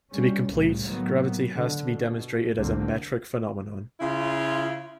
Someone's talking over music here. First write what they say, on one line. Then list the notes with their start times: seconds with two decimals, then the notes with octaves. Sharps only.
To be complete, gravity has to be demonstrated as a metric phenomenon.
0.12 G3 C#4
0.47 C2 A2 C#3
0.83 A2 D#3 F#3 A#3 B3
1.55 D3
1.91 B2
2.57 C2 F2 D3 A#3 C4
4.00 C#3 E4 F4